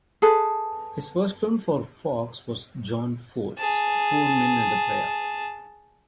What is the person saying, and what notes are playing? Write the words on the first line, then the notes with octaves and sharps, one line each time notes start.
His first film for Fox was John Ford's "Four Men and a Prayer".
G#4 A4 B4
G#4 A5